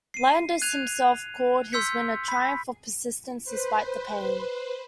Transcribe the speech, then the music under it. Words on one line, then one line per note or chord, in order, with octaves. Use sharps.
Landis himself called his win "a triumph of persistence" despite the pain.
C7 D#7
F#6 G#6 D#7 F7
C6 E6 G6 B6 C#7
B5 B6
B4 C5